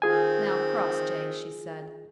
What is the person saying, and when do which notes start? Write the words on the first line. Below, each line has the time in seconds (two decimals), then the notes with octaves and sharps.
"Now, Crossjay," she said.
0.02 D#3 C4 F4 G#4 G#5